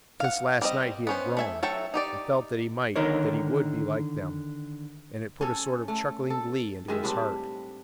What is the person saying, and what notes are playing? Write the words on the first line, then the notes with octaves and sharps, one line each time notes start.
Since last night he had grown, and felt that he might, that he would, be like them, and it put a sort of chuckling glee into his heart.
F5 F#5
G3 C4 D4 D#5
B3 C#4 C5
A3 E5 G#5
F#3 A4 E5 G5 A5
D#4 G4 D5
D3 D#3 D#4 A#4 C#5
C#4 A4
A3
A4
D#3 G#3 E5
A2 G3 C4 D4